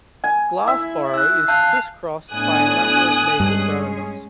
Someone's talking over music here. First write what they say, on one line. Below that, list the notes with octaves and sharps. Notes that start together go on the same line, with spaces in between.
Glassboro is crisscrossed by a number of major roads.
G#5
E4 E5
E6 F#6
F5 A5 F#6 G6
A2 B3 D4 G#5 D#6 F#6
G2 G#3 C#4 G#4